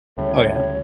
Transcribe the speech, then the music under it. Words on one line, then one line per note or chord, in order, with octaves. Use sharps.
Oh, yeah?
D2 A2 C#3 G3 C#5